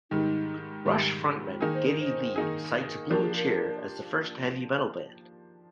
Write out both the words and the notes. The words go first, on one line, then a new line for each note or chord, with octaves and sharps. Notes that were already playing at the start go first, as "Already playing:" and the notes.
Rush frontman Geddy Lee cites Blue Cheer as the first heavy metal band.
G#2 D#3 G3 D#4
G#2 D#3 G3
D#3 A#3 D#4 G#4
C5
A#4
C5
D#3 A#3 D#4 G#4
F3 A#3 D4 G4 A#4
G#4
A#4